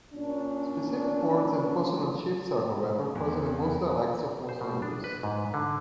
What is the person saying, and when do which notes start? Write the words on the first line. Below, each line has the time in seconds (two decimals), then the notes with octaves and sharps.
Specific words and consonant shifts are, however, present in most dialects of most languages.
0.12 A#2 C#4 D4
3.15 E2
4.49 C5
4.61 B2
4.82 D4
5.04 B4
5.23 G#2
5.54 D3